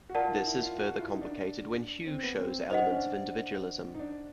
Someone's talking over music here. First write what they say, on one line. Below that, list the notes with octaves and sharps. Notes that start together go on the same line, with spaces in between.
This is further complicated when Hugh shows elements of individualism.
F#4
F4 A#4 D5 F#5 A5
D#4
E4
F4
F#4
F4
E4
D#4
D4
C4
B3
C4
D#4 C5 D#5 F#5
D4
C#4
D4
D#4
D4